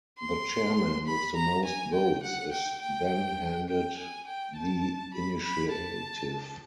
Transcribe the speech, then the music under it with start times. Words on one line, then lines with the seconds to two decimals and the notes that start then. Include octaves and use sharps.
The chairman with the most votes is then handed the initiative.
0.19 C6
1.06 B5
1.36 A#5
1.65 G#5
1.93 G5
2.23 F#5
2.52 G5
2.81 G5
3.69 G5
3.98 G#5
4.27 G5
4.56 A5
5.14 B5
5.43 B5
5.72 A5